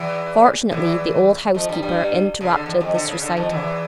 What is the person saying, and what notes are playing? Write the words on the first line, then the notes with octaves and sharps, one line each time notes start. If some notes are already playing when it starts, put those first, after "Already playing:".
Fortunately, the old housekeeper interrupted this recital.
Already playing: E2 E3
E2 E3
F2 F3
G2 G3
G2 G3
C#3
D3
E2
F2
D3
C#3
D3
F2 F3
E2 E3